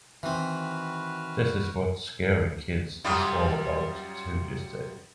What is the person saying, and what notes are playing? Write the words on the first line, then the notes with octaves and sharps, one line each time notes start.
This is what Scary Kids is all about to this day.
D#3 E3 C4 F#4 B4 F6
F#2 G3 F4